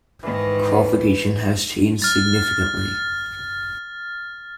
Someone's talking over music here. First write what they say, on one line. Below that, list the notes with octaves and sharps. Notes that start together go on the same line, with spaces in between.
Qualification has changed significantly.
G#2 D#3 E3
F6 A6